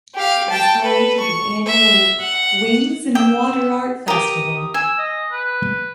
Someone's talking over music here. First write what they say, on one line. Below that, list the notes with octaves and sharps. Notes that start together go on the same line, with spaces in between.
It is home to the annual Wings 'n Water art festival.
G4 F5
G5 A5
A4 B4
C#6
E5
F#5
G5 E6
G4 A#4 D#6
G#5 E6
D#5
B4